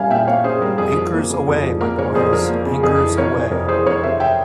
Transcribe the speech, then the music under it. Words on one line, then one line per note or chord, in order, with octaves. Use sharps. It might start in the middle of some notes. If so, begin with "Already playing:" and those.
Anchors Aweigh, my boys, Anchors Aweigh.
Already playing: A#2 G3 C#4 E5 F5 G#5
A#2 E5 G5
A#3 C#5 F5
C#4 G#4 C5
G3 A#4
F2 G#4
F3
A#3
C#3
F2
F3
A#3 A#4
C#3 A#4 C#5
F2 G#4 C5
F3 A#4
A#3
C#3
F2 G#4
E3
F2 A#4 C#5
C3
F2 A#4
E3 G#4 C5
F2 A#4 C#5
C3 C5 E5
E5 G5